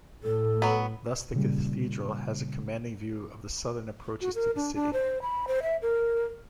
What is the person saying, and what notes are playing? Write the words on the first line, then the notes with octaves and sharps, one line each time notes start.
Thus the cathedral has a commanding view of the southern approaches to the city.
A2 A4
F#3 B3
A#2 C#3 G3
F#4
A#4
D4
D4
C5
B5
C5
E5
A#4